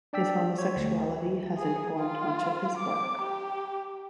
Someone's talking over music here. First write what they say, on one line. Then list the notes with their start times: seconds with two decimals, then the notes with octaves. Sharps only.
His homosexuality has informed much of his work.
0.13 D4 D5 G5 E6 B6
0.58 C5 C#5
0.77 D2
1.58 G#4
1.99 F4
2.77 D6
3.22 G4